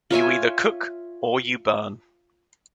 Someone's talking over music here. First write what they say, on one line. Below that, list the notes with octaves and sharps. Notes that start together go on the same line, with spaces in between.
You either cook or you burn.
F4 C#5 E5 G#5